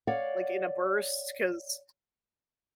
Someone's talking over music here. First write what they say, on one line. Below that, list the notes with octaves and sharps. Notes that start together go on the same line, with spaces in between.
like in a burst, 'cause
C#5 D5 F5 F#5